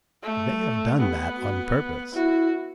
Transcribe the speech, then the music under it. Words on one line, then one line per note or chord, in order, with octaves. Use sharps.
They have done that on purpose.
A3
A4
B3 G4
F#4
E4 F#4